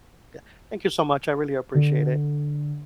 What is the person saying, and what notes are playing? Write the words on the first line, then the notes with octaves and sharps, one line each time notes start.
Yeah. Thank you so much, I really appreciate it.
D3